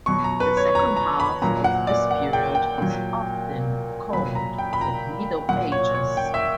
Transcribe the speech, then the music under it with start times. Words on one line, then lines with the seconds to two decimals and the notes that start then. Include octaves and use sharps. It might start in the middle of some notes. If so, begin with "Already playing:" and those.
The second half of this period is often called the Middle Ages.
0.06 B2 F#3 C#6
0.24 A#5
0.40 B4
0.57 C#5
0.75 A#5
0.97 A#5
1.20 B5
1.42 A#2 F#3 A#5
1.64 F#5
1.87 D5
2.11 F#5
2.33 G5
2.55 G5
2.78 A#2 F#3
4.13 A#2 F#3 B5
4.35 A#5
4.58 G5
4.73 B5
4.81 A#5
5.49 A#2 F#3 F#5
5.72 C#5
5.95 C#5
6.17 G5
6.34 E5